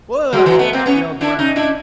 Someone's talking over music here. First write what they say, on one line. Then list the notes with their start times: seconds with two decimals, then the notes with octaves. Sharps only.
"Wood!" yelled Brown.
0.33 F#3 G#3
0.46 E3 F#3
0.59 A3 B3
0.73 A#3 C4
0.86 B3 C#4
1.21 D4 E4
1.39 C#4 D#4
1.56 D4 E4